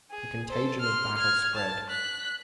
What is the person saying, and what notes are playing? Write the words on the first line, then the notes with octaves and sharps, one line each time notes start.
The contagion of battle spread.
G#4
A4 C5
C6 F6
F6 G#6
A5
F#6 B6